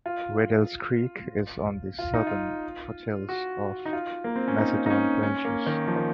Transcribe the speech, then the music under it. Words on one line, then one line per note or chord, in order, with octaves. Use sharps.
Riddells Creek is on the southern foothills of the Macedon Ranges.
F4
F4
D#4
F4
F#4
D#4
F4
A#3
C4
C#4
D#4
D#4
C#4
C#4
A#3
D#3
F3
D#3